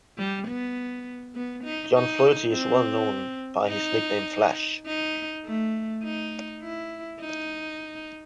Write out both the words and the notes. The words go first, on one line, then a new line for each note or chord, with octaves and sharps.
John Flaherty is well known by his nickname Flash.
G3
B3
B3
D#4
D#4
C4
D#4
D#4
A3
D#4
E4
D#4